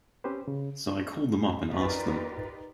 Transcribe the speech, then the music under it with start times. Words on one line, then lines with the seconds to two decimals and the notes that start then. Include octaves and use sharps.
So I called them up and asked them.
0.24 C4 C#4 G4 B4 C5
0.48 C#3
1.71 D#4 F4 G4 A#4 B4 D5